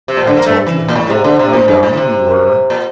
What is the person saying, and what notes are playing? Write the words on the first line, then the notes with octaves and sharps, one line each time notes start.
I told you how old--how young--we were....
C3
A#2
D3
A#3
A3
E3
A#2
A2
C3
D3
C3
A2
G2
A2
C3
A#2